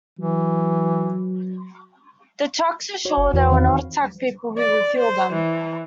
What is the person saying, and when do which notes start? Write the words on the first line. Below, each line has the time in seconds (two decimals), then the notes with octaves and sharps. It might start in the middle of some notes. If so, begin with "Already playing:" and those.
The trucks assure they will not attack people who refuel them.
0.19 E3 F#3
3.05 F#4 C#5
3.17 F#1
3.33 E2 E3 F#4 B4
3.50 D#3 C4 F5
4.58 D5
4.99 C5
5.34 E3